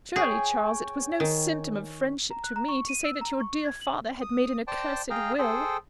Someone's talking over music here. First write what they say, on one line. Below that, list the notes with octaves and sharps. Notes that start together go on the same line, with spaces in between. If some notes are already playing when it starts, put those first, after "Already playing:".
"Surely, Charles, it was no symptom of friendship to me, to say that your dear father had made an accursed will!"
G#4 C#5 G5 G#5
D#3
A#5
F#6
A#5
C#6
D#7
E6
A#5
C#6
G#6
F#7
D#6
C5 D5 G5 A5
G#4 F5 G5 A#5
G#4 A4 C5 G5